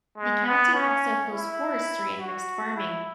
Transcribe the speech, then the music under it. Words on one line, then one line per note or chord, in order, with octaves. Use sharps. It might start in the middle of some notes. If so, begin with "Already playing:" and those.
The county also hosts forestry and mixed farming.
G#3
B3
C#4
E4
F#4
E4